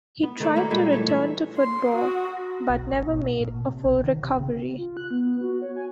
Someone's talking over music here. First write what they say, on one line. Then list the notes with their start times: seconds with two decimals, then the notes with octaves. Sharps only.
He tried to return to football, but never made a full recovery.
0.23 B3
0.40 D#3 A3 A4 D5
0.56 A#3 E4 F#4 G4
0.71 A#2 G3 G#3 E4
0.92 E3 A3 C#5
1.09 E5
1.57 C6
1.95 F#4
2.70 B1
2.92 G#1
3.07 B2
3.41 A#2
3.64 C3
3.85 B1
4.03 D#3
4.23 C3
4.39 C#3
4.78 F4
4.97 F#6
5.11 B3
5.41 F#4
5.62 C#5
5.76 G#5